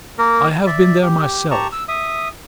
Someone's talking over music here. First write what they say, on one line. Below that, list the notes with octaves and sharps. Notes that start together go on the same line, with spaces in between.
I have been there myself.
A#3 A#4
D5 E5
G4
G4 A5 A#5 C#6
E6
E5 D#6